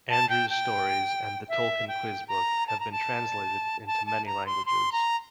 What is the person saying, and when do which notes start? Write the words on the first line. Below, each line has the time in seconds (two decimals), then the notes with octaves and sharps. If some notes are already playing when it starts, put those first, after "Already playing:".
Andrew's stories and "The Tolkien Quiz Book" have been translated into many languages.
0.10 A5
0.30 G5
0.50 G5
1.49 E5
1.88 G5
2.28 A#5
2.68 A5
2.80 A#5
2.92 A5
3.87 A5
4.06 A5
4.26 A#5
4.46 C6
4.66 C6
4.92 A#5